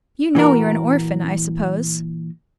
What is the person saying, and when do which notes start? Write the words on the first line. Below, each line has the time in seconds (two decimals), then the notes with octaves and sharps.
You know you're an orphan, I suppose?'
0.35 A#2 E3 F#4 A#4